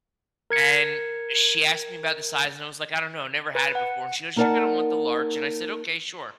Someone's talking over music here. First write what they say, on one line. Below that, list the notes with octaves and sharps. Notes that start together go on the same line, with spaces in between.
And she asked me about the size, and I was, like, "I don't know, I never had it before." And she goes, "You're gonna want the large." And I said, "Okay. Sure."
A#4 G#6 C#7
B4
F#5
A#3 D#4 A#4 D5 F#5 A5